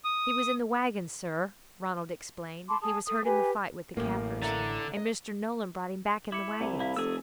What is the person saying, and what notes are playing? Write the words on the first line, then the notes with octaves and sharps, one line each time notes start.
"He was in the waggon, sir," Ronald explained; "he was hurt in the fight with the Kaffirs, and Mr. Nolan brought him back in the waggons."
D#6
A5 B5 C6 D6
G#4 A5 D#6
A4 D#6
G4 B4 G#5
A1 F#2 A2 A#3 C#4 G4
D3 E4 E5 A#5
D#5
E4 D6 C#7
C2
E4 F5
F1 A3 G#4 A4 E6